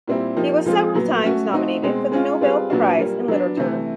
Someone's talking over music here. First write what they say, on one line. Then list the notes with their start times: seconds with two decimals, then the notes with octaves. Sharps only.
He was several times nominated for the Nobel Prize in Literature.
0.08 A#2 G3 C4 E4 G4
0.36 F3 A#3 D#4 G4
0.66 F3 G#3 C4 F4
0.95 A#2 F#3 B3
1.24 A3 C#4 F#4
1.53 A3 C4 D#4 F#4
1.83 B2 G#3 C4
2.12 G#3 C#4 F4
2.41 G3 C4 F4 G#4 B4
2.70 A#2 F#3 B3 D4 F#4
2.99 A#2 G3 A#3
3.28 F#3 B3 D4
3.57 C3 E3 A3